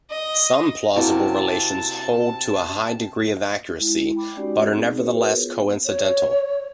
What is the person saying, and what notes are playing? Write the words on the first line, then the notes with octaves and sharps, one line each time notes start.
Some plausible relations hold to a high degree of accuracy, but are nevertheless coincidental.
D#5
C3 A#3 E4 F#4 A5
G#3 E4
G5 B5 D6
G#3 C#4 D#4 F#4 G4 D5
C4 D#4 G#4
F#4 G#4 A#4 B4 C#5
B3 F4
C#5